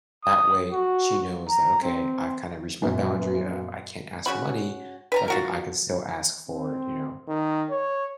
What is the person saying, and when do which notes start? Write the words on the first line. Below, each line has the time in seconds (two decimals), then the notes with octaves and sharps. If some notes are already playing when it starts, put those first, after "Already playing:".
That way she knows that, "Okay, I've kinda reached my boundary of 'I can't ask for money,' but can I can still ask for, you know,
0.24 D#6
0.72 F#4
1.49 A#5
1.82 C4
2.82 F#2 A#2 B3
4.26 C#3 F#4 B5
5.12 B4 A5 A#5
5.28 F4 F#4 A#4
6.49 C4
7.28 D#3
7.71 C#5